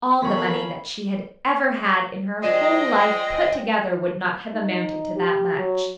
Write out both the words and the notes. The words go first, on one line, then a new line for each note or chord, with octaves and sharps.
All the money that she had ever had in her whole life put together would not have amounted to that much.
E2 A#3 B3 C#4 A4 A#4 B5 C#6
F2 G#3 D4 C5 D#5 G5 A#6
D#4
G4
F#3